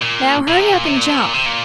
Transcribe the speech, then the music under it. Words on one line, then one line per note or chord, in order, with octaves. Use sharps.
Now, hurry up and jump.
A#2
A#2
C3
A#2
C3
A#2
C3
A#2
C3
A#2